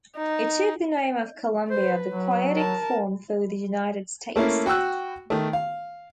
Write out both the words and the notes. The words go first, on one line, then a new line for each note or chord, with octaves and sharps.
It took the name of Columbia, the poetic form for the United States.
D#4
B4 C5
F#3
A#4 A5
A3 A#3 C#4 E4
F#4 G5 C#6 E6 F#6
D#3 A3
F5